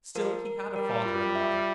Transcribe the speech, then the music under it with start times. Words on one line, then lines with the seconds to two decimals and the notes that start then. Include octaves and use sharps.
Still, he had a father and a mother.
0.15 F3 A#4
0.46 A#4
0.76 G3 A#4
1.05 F4
1.35 E5